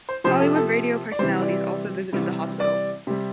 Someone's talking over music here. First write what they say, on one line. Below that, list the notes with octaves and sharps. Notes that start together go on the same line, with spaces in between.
Hollywood Radio personalities also visited the hospital.
C5
C3 F3 C5
A4
A4
D5
C3 E3 G3 C5
D5
C3 E3 G3
D5
C3 G3